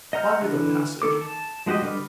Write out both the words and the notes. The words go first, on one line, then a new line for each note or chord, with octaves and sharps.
Find me the passage.
D#5 F#5 A#5 F6 G6
D3 E3 F#6
D#3 D4 A4 D6
A5
F3 G#3 F#4 G4 D#5
D3 G3 B4 D6 F6